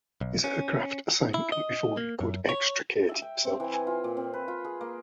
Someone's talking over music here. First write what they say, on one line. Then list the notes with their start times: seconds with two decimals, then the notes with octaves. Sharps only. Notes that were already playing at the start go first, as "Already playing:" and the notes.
His aircraft sank before he could extricate himself.
0.21 B1
0.44 C#4
1.34 E4
1.52 D#5
1.97 A#3
2.21 F#2
2.49 C#5
3.09 E5
3.22 G5
3.45 C4
3.60 E3
3.73 G#5
3.87 F4
4.04 A#2
4.17 C4
4.34 B4
4.48 F4
4.64 G#4
4.81 A#3